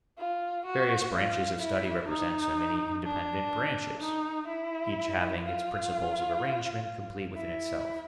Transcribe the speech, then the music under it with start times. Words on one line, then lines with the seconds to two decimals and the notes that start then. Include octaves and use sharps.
Various branches of study represent so many independent branches, each having its principles of arrangement complete within itself.
0.18 F4
0.66 F#4
1.14 F4
1.61 E4
2.09 D#4
3.05 D4
4.00 D#4
4.48 E4
5.44 F4
7.35 E4